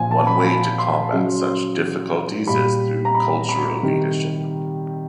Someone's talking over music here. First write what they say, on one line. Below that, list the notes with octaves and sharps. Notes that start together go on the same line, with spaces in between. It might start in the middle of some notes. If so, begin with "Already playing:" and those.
One way to combat such difficulties is through cultural leadership.
Already playing: A#2 F3 G#5
A5
B5
B5
C6
C#3 F#3
A#2 G3 B5
A#5
B5
B5
C3 D#3 G3